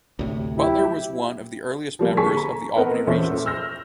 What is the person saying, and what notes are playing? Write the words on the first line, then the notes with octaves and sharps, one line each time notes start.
Butler was one of the earliest members of the Albany Regency.
D2 A2 C3
F#3 E4 G4
F3 G3 A#3
D3 G#4 A5 C#6 B6
A#5
B3 C4 A4 A#4 D#5 F#5
E2 A#2 C#4 A4 C5 E5
E6 F6 G6 A#6